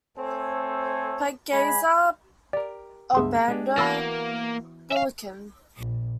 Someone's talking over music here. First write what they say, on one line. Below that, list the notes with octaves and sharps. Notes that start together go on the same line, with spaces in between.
Pag-Asa, Obando, Bulacan.
A3 C4 A4 C5 C#5 G#5
G#3 C#5 G#5 B5
G4 A#4 D5
C#2 G2 B3 G#4 E5 C6
G#3 D4 G4
E3 A#3 B3 F#4 B5 E6 A6
E5 F5
A#1